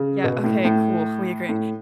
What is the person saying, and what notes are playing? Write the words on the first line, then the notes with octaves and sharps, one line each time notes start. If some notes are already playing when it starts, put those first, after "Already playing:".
Yeah, okay, cool, we agree,
Already playing: C#3
B2
A2
A2
A2